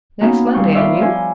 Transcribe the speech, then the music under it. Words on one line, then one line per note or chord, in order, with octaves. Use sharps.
"Next Monday; and you?"
A#3 B3 C#4 D#4 F#4
A#2 G3 C#6 F#6 G6
F4 B4 C5 D5 E5 F5
F3 E4 G#5 C6